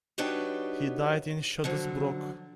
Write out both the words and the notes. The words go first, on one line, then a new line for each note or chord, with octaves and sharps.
He died in Shottesbrooke.
F#3 D4 D#4 G4 B4 C#5
D3 F3 F#3